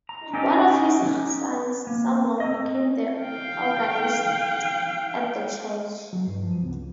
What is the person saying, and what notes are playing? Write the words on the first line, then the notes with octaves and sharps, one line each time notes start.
One of his sons, Samuel, became the organist at the church.
A#5
C#4 D#4 G4 A4 D#5
A#3
C4 D#5
F5 G5
F#3
G2
F3
C#2